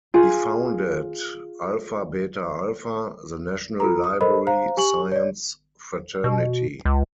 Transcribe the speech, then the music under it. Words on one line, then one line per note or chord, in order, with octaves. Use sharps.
He founded Alpha Beta Alpha, the national library science fraternity.
F4 G#4
F4 A4 A#5
D#6
A4 A#4 C5 D#5 B5
C5 F5 A#5
G4 G#5 C#6 F#7
C#5 D5
B2
C#2